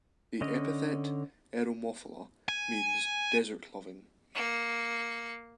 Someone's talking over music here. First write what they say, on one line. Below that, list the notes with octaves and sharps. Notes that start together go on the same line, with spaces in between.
The epithet "eremophila" means "desert-loving".
D3 C#4 D#5
G#5
A#3 C#7